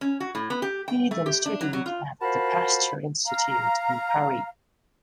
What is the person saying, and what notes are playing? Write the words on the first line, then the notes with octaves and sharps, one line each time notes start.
He then studied at the Pasteur Institute in Paris.
C#4
F#4
A2
B3
G4
G5
A3
G4
D4
F#3
F#3
F4
F4 F#4 A#4 C5 A5 B5
F5 A#5